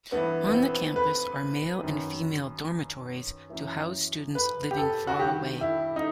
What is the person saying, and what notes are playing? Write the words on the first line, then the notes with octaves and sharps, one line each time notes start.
On the campus are male and female dormitories to house students living far away.
G2 E3 B3
B3
C4
B4
F#2 D#3
F#2 E3
B4
G4
A4
F#4
G2 D#3 G4
E4
D#4